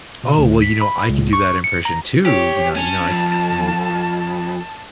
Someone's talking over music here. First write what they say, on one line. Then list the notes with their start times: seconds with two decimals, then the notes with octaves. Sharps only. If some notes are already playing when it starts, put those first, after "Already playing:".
"Oh, well, you know, I can do that impression too. You know you know, I can definitely
0.24 B2
0.38 D2
0.62 B6
0.81 B5
1.09 C#2
1.33 C#6
1.64 C#7
1.85 A#5
2.26 G4 C#5
2.76 C#4 A5
3.08 F2